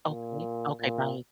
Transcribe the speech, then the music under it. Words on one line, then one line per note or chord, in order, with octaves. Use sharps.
okay, okay, by
A#2
A#2